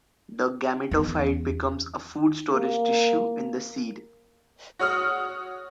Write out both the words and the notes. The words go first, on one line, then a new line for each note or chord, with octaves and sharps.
The gametophyte becomes a food storage tissue in the seed.
E2
A#3
F#4 C#5 D#6 F6